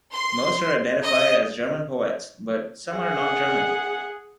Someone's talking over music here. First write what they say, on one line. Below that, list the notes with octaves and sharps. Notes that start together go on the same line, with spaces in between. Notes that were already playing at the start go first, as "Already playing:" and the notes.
Most are identified as "German poets", but some are not German.
C6
D#5
G#4 F#5